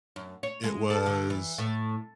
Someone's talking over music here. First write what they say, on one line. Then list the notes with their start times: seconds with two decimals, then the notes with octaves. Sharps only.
It was
0.16 F#2
0.43 C#5
0.64 G#3
0.90 A4
1.06 D3
1.30 E3
1.58 A2